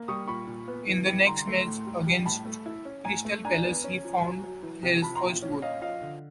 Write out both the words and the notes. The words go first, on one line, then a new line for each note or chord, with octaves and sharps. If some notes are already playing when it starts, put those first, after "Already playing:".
In the next match against Crystal Palace, he found his first goal.
Already playing: A#3
G3 C#6 D#6
A#2 B5 C#6
A#2
B3
E3
G3
D3 A#5 C6
A3
A2
G3
G3
A2 A5 B5
A3
E4
C#4
A2 G#5 A#5
A3
D4 G#5 A#5
B3
C#4
F3
F#3
F#3
E3
C3
F3 A5 B5
A#5 C6
A#2
C#4
C#4 D#5 F5
F3 D#5 F5
D3